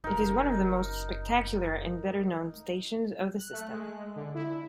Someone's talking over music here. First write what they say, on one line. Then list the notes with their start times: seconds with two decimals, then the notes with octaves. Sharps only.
It is one of the most spectacular and better-known stations of the system.
0.04 F#1 D#4 A#4
3.39 F#6
3.52 A3
3.72 G#3
4.16 D3
4.35 E4